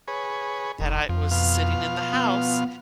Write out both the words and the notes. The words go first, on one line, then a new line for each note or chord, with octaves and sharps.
that I was sitting in the house,
G#4 B4 C#5
F1 D#2
F2 F3
B2 F3 F5
B3